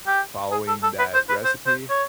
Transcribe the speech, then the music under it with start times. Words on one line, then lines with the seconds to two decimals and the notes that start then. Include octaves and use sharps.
following that recipe.
0.07 G4
0.52 G#4
0.68 A4
0.83 A4
0.99 B4
1.14 C5
1.29 B4
1.45 C5
1.67 C5
1.90 C#5